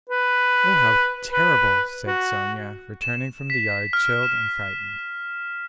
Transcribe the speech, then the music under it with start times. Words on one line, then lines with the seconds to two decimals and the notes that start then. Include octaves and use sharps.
"Oh, how terrible," said Sonya returning from the yard chilled and frightened.
0.09 B4
1.33 B4
2.07 F#4
3.02 E7
3.50 B6
3.93 F6
4.23 E7